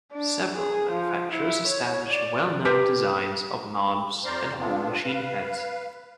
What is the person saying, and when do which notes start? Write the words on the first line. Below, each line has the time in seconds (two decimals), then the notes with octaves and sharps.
Several manufacturers established well-known designs of knobs and whole machine heads.
0.12 D4
0.56 G#4
0.91 F3
1.32 E4
1.67 C#5
2.11 D5
2.65 G4 A#4 B4 G5 A5
4.24 F2 C5 D5 A#5 C6 F6
4.59 B3 C4 D4 F4
5.05 B4 F5